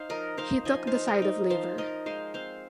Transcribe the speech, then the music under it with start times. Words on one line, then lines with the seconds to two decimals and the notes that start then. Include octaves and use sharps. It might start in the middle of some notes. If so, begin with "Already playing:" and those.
He took the side of labor.
Already playing: D#4 C5 F5
0.09 F3 A#4 D#5
0.37 D#4 C5 F5
0.65 F3 D#5 G#5
0.87 C5 F5
0.94 D#4
1.08 A#4 D#5
1.22 D#4
1.50 F3 C5 F5
1.78 F3 A#4 D#5
2.06 G#3 C5 F5
2.34 C4 C5 F5